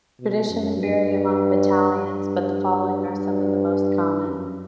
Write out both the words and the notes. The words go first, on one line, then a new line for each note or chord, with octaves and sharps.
Traditions vary among battalions, but the following are some of the most common.
B2
F#2
G2
G2
G2
F#2